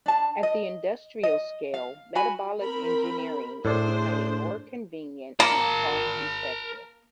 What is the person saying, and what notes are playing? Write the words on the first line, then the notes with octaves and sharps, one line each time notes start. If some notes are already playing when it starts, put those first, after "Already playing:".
At the industrial scale, metabolic engineering is becoming more convenient and cost effective.
D4 A5
D#5
D#5
F5
F#4 G#5 B5
C4 A#4 B5
A2 A3 D4 G#4 C5 D5
A#3 A#4 A5